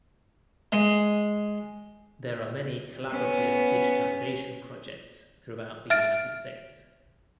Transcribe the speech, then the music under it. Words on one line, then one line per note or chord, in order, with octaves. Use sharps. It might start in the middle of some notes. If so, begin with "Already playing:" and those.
There are many collaborative digitization projects throughout the United States.
G#3
B3 C#4
E5 F6 A6 D7